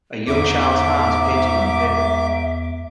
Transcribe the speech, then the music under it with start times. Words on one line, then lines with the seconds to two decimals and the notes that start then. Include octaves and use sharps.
A young child 's hands painting on paper.
0.28 E2 G#2 E5 D6